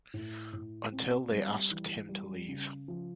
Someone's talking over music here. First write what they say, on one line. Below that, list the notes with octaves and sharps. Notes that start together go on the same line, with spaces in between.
Until they asked him to leave.
A2
A2
C4
G3
E3
G3
C#3
F3